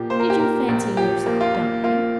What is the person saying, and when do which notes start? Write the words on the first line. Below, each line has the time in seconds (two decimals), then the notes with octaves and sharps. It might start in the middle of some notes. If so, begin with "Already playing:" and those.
"Did you fancy yourself dying?"
Already playing: A#2 F3 A#3 G4
0.10 A#3 C5
0.20 A#4
0.30 G4
0.39 A#2 A#4
0.68 A#1
0.97 F3 G4
1.26 A#3
1.41 F4
1.54 A#3
1.84 A#3 F4